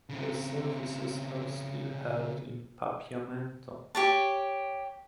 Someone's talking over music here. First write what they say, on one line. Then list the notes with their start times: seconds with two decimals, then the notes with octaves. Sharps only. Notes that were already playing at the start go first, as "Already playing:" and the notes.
The services are still held in Papiamento.
0.09 C#3 C4
3.95 G4 C#5 A5